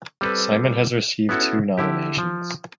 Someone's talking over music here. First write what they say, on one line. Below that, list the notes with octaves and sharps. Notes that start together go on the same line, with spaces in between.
Simon has received two nominations.
G3 C4 A4 B4
B3 C#4 E4 F#4 A4
D3 E4 G4
F3